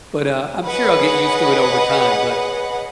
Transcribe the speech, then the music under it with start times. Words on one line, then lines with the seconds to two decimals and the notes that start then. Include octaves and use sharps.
but, uh, I'm sure I'll get used to it over time, but
0.67 G#4 B4 C#5 D#5 F#5